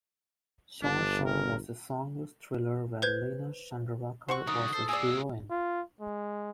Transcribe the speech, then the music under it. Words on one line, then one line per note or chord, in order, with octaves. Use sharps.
'Chor Chor' was a song-less thriller where Leena Chandavarkar was his heroine.
G1 D4
A#4
B4 C5 G6 G#6
F#4 C5 F#5 C#6
C2 D3 D#4 D#6
A4 C5
A#2 G#3 G#4 D5 E6
F4
G#3